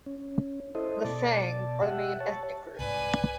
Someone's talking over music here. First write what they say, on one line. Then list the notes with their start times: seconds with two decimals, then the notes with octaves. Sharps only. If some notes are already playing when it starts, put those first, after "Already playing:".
The Fang are the main ethnic group.
0.06 C#4
0.75 E4 A4 C5 D#5
1.04 B2 D5 A5
1.82 G4 E5 F#5
2.20 C#5 A5
2.79 C2 G#2 B4 D5 G#5